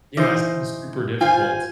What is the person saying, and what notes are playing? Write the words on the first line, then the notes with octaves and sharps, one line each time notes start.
Yeah, that sounds super difficult.
E3 D#4 C5
F4 C5 G#5